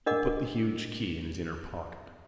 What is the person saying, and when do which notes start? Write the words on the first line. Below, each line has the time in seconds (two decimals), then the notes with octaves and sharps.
He put the huge key in his inner pocket.
0.06 D4 A#4 D#5 F#5 D6